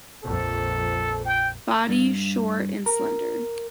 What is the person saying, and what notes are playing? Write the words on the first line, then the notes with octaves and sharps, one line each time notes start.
Body short and slender.
A#1 F2 A4
G5
G2
A#4